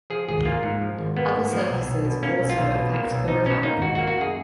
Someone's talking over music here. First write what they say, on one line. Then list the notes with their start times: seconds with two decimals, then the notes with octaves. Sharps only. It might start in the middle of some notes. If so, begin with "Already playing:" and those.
Other surfaces also affect the river.
0.10 F3 G#4
0.28 G#1 G#4
0.45 A#3 F4
0.63 G#2
0.81 F3
0.99 G#1
1.17 A#3 B3
1.34 G#2
1.52 F3
1.70 B1
1.87 B1
2.05 B2
2.23 A#3 C#4
2.40 B1
2.50 F4
2.58 B1
2.76 B2
2.93 A#3
3.11 B1
3.28 B1 D#4
3.46 B2 C#4
3.63 A#3 D#4
3.81 G#1 F#4
3.95 F#4
3.99 A#3
4.07 F#4
4.17 F#2 G#4